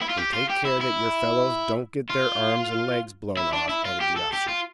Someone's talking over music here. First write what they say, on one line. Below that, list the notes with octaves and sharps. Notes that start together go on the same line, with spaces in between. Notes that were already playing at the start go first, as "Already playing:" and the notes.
"And take care that your fellows don't get their arms and legs blown off," added the officer.
E4
F4
G4
F4
G4
E4
E4
F4
E4
D4
E4
F4
G4
A4
G4
F4